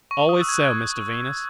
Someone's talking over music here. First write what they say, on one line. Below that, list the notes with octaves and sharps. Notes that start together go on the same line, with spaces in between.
'Always so, Mr Venus.
C#6
D#6
F#6
E6
G#6
F#6
G#6